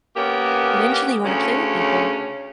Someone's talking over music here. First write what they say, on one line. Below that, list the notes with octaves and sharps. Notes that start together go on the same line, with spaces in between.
Eventually, you wanna play with people.
A#3 B3 C#4 G4
D2 C#3 C#4